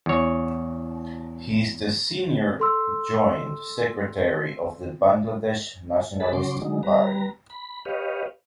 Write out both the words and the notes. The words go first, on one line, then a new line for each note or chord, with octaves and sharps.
He is the Senior Joint Secretary of the Bangladesh Nationalist Party.
E2 C#5
A4 C6 E6
G#4 A4 B4 A5 B5
C#3 F#3 C#4 C6 D6
D3 F#3 G#3 D#4
G3 B4 A#5
B5
G4 B4 C#5 D#5 F5